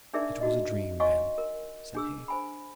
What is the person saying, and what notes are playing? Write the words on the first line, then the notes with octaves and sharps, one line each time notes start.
'It was a dream, then,' said he.
D4 D#4 G#4 A#4 D5 E5
D#4 F#4 D#5
C#5 D#5 F5 G#5 C6 C#6
A#4
D4 G#4 E6
C5 G#5 B5